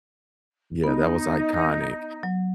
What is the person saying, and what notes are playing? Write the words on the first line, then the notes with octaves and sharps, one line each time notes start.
Yeah, that was iconic.
B3 D#4
F#3